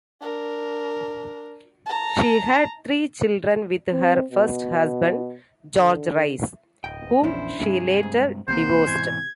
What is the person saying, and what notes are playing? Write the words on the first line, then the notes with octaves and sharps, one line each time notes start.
She had three children with her first husband, George Rice, whom she later divorced.
D4 A#4
A5 A#5
C4
B2
D3
D1 D#5 G5
A#1 E2 C#4 D4 E4 C5
G2 C3 G#4
G#2
B1 C3 G3 A#3 C5 F#5
G#2 B2 E3 G#6